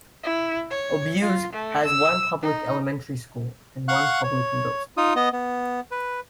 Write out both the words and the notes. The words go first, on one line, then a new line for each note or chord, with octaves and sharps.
Obuse has one public elementary school and one public middle school.
E4
C#5
F4
A3
E6
D#4
F5 F#5 C#6 F#6
C#5
D#4 F4 D#6
B3 D#5
B3
B4